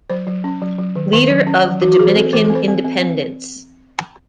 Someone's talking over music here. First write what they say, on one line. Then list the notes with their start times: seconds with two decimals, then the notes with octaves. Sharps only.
Leader of the Dominican independence.
0.10 F#3 C5
0.27 F#3
0.44 C#4
0.61 F#3
0.78 F#3
0.96 D#3
1.13 D#3
1.30 F#3
1.47 C#4
1.65 F#3
1.81 E3 F#4
1.92 F#4
1.99 E3 G#4
2.08 C5
2.16 C4 A4
2.33 E3 C5
2.45 A4
2.50 C4
2.55 C5
2.68 C4
2.85 C4
3.02 C4